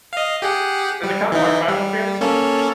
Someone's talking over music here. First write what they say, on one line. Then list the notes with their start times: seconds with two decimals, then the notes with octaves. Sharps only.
Is it kinda like Final Fantasy?
0.13 D#5 F5
0.42 G4 G#4 F#5
1.03 G3
1.32 E3 D#4
1.68 G3
2.21 A#3 C#4 A4